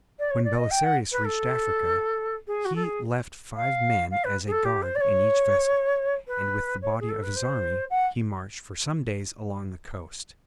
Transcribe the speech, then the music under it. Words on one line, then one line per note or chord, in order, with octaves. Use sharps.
When Belisarius reached Africa he left five men as a guard in each vessel, and with the body of his army he marched for some days along the coast.
D5
C#5
D5
D#5
G5
F#5
B4
A4
G#4
F#4
A4
G#4
F5
F5
B4
G#4
A4
G4
C5
D5
C#5
B4
C#5
G#4
A4
B4
C5
F#5